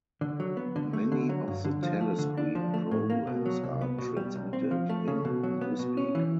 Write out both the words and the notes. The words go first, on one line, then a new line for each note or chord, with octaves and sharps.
Many of the telescreen programmes are transmitted in Newspeak.
D3
F#3
B3
D3
A3
D3
F#3
G2
D3
F3
A3
D3
D4
F3
A3
A2
A#3
B2
F#3
C2
B3
B2
G3
B1
C4
F3
A3
C#3
B2
F#3
B3
B2
C#4
E3